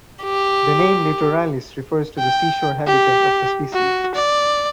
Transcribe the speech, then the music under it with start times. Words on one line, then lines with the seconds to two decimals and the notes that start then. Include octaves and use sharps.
The name "litoralis" refers to the seashore habitat of the species.
0.23 G4
2.19 G5
2.87 G4
3.73 F#4
4.15 D5